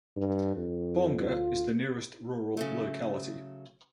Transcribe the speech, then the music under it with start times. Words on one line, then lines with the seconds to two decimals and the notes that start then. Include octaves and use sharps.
Bonga is the nearest rural locality.
0.17 G2
0.56 F2
1.25 D2 F4
2.57 C#3 F#3 A3